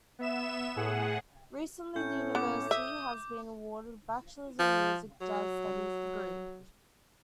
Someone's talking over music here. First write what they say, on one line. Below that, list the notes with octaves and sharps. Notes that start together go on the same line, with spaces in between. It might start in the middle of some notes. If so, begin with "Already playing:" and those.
Recently the university has been awarded a bachelors in music- jazz studies degree.
B3 E5 E7
A2 G#4 F#5
A2 C#4 G6
B3 D6
E5 D#6
F3
F#3